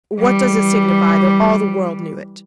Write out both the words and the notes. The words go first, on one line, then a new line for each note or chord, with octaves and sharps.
"What does it signify though all the world knew it?"
E3 G3